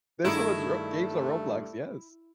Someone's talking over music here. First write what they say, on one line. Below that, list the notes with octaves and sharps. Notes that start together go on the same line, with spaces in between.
There's so much Ro games on Roblox, yes.
G2 D#3 A3 E4 G#4 F#5